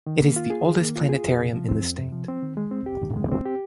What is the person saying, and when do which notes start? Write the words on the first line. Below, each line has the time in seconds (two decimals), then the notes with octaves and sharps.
It is the oldest planetarium in the state.
0.07 D#3
0.21 A#3
0.36 F4
0.50 G#4
0.65 D#3
0.80 A#3
0.96 F4
1.09 G#4
1.24 F2
1.39 C3
1.54 F3
1.69 C4
1.83 F2
1.98 C3
2.12 F3
2.28 C4
2.42 D#3
2.57 G#3
2.71 C4
2.86 G4
3.01 D#3
3.17 G#3
3.31 C4
3.46 G4